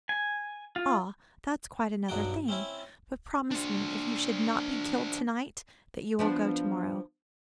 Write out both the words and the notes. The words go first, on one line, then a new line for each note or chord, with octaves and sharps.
"Ah, that's quite another thing; but promise me, if you should not be killed tonight, that you will go tomorrow."
G#5
F4
B1 G2 F#3 F#4 G5
C4 C#4 E4
D4 C5
F3 B3 D4